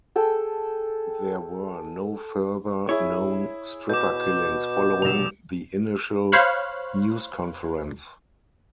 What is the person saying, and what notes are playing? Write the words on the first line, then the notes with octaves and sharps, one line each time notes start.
There were no further known Stripper killings following the initial news conference.
G#4 A4 G5
E4 G#4 C#5 E5
B2 D6 G6
F1 B1 E7 F7
C5 C#5 F5 B5 C#6 F#6